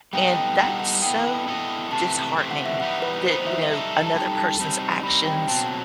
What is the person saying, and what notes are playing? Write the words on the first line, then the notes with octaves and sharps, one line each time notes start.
and that's so disheartening that, you know, another person's actions
G3 B3 D#4 A4 D#5 G5
G5
G3 B3 D#4 A4 D#5 F#5
F#5
B3 E4 A4 D#5 G5
B3 E4 A4 D#5
C3 E3 A3 C4 A5
C3 E3 A3 C4
F#5
E5
E3 G3 B3 D#4 F#5
B4
E3 G3 B3 D#4 C5
E5
G3 D#4 A4
A5
G3 D#4 A4 G5
A5
G3 C4 D#4
G3 C4 D#4 B5
G5
B2 F#3 C4 A5